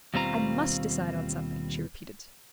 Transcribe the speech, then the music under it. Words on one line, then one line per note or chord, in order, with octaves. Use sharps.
"I MUST decide on something," she repeated.
D#2 B2 G3 C4 F4 A#5